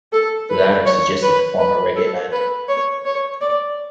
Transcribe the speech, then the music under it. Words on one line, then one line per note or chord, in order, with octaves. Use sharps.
The latter suggested to form a reggae-band.
A4
B4
C#5
B4
B4
A4
B4
C#5
C#5
D5